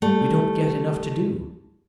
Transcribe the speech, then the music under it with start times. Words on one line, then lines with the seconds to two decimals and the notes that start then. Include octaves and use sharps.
We don't get enough to do.
0.02 G3 A3